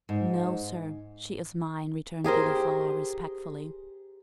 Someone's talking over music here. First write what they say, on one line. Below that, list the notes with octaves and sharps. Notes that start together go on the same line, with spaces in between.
"No, sir, she is mine," returned Gilliflower, respectfully.
G#2
G4 G#4 A#4 C5